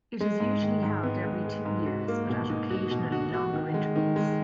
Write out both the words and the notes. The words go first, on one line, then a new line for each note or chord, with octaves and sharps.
It is usually held every two years, but at occasionally longer intervals.
G#3
G#2
D#3
G#2
B3
G#2
G#3
G#2
F#4
A#3
B2
D#4
F#4
B2
F#4
F#4
D#3
G#3
D#3
G#3